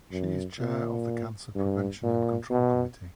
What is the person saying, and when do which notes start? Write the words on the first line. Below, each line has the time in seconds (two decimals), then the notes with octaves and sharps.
She is Chair of the Cancer Prevention and Control Committee.
0.11 F#2
0.59 A#2
1.55 G2
2.03 A#2
2.50 B2